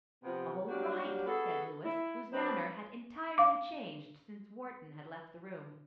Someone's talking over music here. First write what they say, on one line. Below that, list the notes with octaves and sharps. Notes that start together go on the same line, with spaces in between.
"All right!" said Louis, whose manner had entirely changed since Wharton had left the room.
C3 F3 B3
F#3 G3 A#3 D4 F#4 G4
B3 F#4 G#4 A4
E4
F#3 C4 D#4 B4 C5
F5 D6